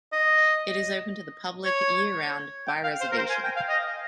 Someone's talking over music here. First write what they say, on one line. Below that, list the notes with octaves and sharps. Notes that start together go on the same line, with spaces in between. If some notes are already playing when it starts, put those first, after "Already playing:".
It is open to the public year-round by reservation.
D#5
C#5
G5
F5
C5
A#4
C5
G#5
G5
F5
D#5